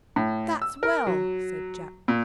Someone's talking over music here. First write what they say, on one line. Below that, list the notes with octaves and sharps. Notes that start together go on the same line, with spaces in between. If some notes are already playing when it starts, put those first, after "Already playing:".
"That's well," said Jack.
A2
E6
A#4
F#3
A#2